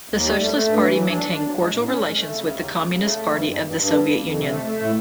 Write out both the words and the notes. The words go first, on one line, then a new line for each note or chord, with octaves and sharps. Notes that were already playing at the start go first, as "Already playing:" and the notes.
The Socialist Party maintained cordial relations with the Communist Party of the Soviet Union.
D#2
G3
A3
A3
G2
E3
F#3
D4
D4
F#3
G#3
A2
C#4
G#3
A3
C#3
D#2
C#3
C#3
C#3
A3
F2
G2
G2
G2
G2
F2
F2
F2
C3
A3
A3
A2